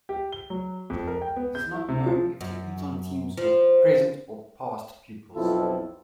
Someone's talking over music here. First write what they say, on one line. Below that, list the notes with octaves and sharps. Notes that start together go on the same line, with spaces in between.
It is not known if the Eton teams were present or past pupils.
G4
G7
F#3
F2
A#4
G5
B3
G6
E4
C3
F3
F#2
F3
B1 F2 F3 E4 F4 A4